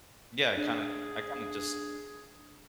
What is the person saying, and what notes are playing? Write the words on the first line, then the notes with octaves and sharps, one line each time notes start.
Yeah, I kinda I kinda just
D4 G#4